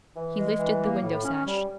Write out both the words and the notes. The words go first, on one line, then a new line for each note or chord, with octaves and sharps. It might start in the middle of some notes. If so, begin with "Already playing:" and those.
He lifted the window-sash.
E3
G#3
E3
A#3
A2
C#4
G3